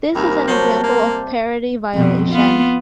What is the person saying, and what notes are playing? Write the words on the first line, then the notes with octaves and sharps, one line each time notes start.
This is an example of parity violation.
D#2 C3 G3 A#4
F#3 C5 A5 C6
A#3
F2 B2
B3 F4